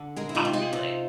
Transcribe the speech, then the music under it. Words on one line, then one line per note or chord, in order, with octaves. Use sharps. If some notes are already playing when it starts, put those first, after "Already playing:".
Oh, really?
Already playing: D3
G#3 G#4 A#4
E4
D#4 F4
C3
D#4 F4
C3